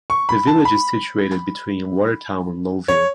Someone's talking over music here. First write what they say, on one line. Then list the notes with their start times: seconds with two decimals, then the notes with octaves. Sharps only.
The village is situated between Watertown and Lowville.
0.10 C#6
0.29 B5
0.47 A5
0.65 B5
2.88 C#5